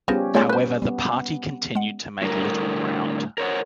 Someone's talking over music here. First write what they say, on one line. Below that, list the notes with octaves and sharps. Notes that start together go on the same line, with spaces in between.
However the party continued to make little ground.
F3 G3 B3 C#4 G4 G#4 A#6
G#3 A3 B3 F4 C#5 D5 G#5 G6
B4 C5 F#6
G3 B3
G#3 F#5
A2 D3 G3 A#4
A#4 C5 C#5 F#5